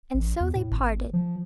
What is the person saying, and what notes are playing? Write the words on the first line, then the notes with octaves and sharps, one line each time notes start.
And so they parted.
A1
E2
A2
G#1
F3